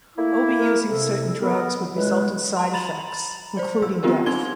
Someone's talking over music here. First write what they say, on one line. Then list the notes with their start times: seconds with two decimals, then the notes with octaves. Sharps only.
Overusing certain drugs would result in side-effects, including death.
0.18 A3 A#3 E4
0.57 A#4
0.90 C3 A4
1.40 D#3 B3 A#4
1.96 A2 C#3 G#3 B4
2.56 A5 C6
2.73 A#5 B5 A6 F7 F#7
3.57 C5 D5
3.82 F#3 G3 E6
4.03 B3 C4 D4 F4 G4 A#4
4.26 C4 D#4 C6 G#6 G7